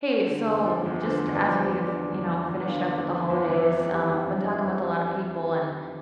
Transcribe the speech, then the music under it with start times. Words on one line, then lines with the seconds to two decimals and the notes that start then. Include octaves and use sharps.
Hey, so just as we've, you know, finished up with the holidays, um, I've been talking with a lot of people and
0.24 D3 C5
0.45 E2
0.66 F3
0.86 E2
1.06 D3 C5
1.27 E2
1.33 D5
1.46 F3
1.60 C5
1.67 E2
1.87 D3 D5
2.08 E2
2.28 F3
2.49 E2
2.68 D3 F4
2.89 E2
3.10 F3
3.30 E2
3.49 E3 E4
3.70 F2
3.91 G3 C4
4.11 F2
4.31 E3 D4
4.51 F2
4.72 G3